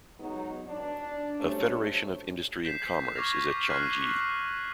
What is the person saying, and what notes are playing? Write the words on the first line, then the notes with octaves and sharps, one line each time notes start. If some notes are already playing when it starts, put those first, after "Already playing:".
A Federation of Industry and Commerce is at Changji.
F#3 G#3 B3 D#4 F#4
D4
F#3 G3 A3 C#4 C5 C#5
G6 B6 C7 E7
C#6 D6 F6 G#6 A#6 F7
F6 F#6 B6 C7 D#7 F#7